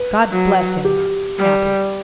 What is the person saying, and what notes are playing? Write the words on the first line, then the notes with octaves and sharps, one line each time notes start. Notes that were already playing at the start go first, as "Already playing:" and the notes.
God bless him!--happy.
Already playing: B4
F#3
G4
G3